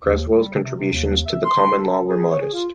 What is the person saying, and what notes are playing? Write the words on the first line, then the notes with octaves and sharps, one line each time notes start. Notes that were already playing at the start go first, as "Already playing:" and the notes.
Cresswell's contributions to the common law were modest.
D#2
G3
C3
C3
D#2
E5
C6
A4
G#4
C#5
G#4
F4